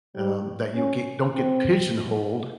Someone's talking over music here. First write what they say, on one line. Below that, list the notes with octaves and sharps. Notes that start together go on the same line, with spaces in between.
um, that you get don't get pigeonholed
G3
C#4
C4